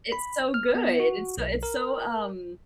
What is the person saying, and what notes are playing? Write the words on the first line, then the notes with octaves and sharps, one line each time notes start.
It's so good, it's so it's so, um
B5
F6
B3
F#4
B1
A#4